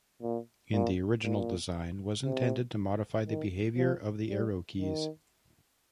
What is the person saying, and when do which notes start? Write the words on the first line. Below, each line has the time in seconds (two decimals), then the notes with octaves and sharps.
In the original design, was intended to modify the behavior of the arrow keys.
0.22 A#2
0.73 A#2
1.23 A#2
2.25 C3
3.27 D#3
3.77 F3
4.28 G3
4.78 D#3